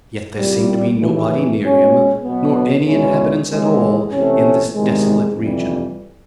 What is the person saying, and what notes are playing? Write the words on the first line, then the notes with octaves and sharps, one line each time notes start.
Yet there seemed to be nobody near him, nor any inhabitants at all in this desolate region.
C2 A#2 G3
D#2 C#3 E3 A3
B2 G#3 C#4
B2 F#3 B3
E2 B2 G#3 C#4 E4
D#2 C#3 E3 G#3
C3 E3 A3 C#4
E2 C3 D#3 G#3
F2 C3 E3 G3